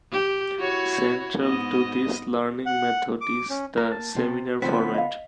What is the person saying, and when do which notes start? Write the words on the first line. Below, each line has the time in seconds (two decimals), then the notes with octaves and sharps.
Central to this learning method is the seminar format.
0.12 G4
0.58 E4 F#4 C#5
1.38 G#2 B3 D#5
2.66 F#5
3.21 D6
3.50 C#4
3.77 A#3 A#4
3.92 A5
4.16 C3
4.62 D3 F3 B3 C4 B6
4.94 D#5 F5